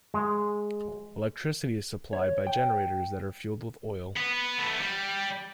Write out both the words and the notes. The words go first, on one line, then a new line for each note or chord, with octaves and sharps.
Electricity is supplied by generators that are fueled with oil.
G#3
C#5
G5
B3 B4
A3 B3
G3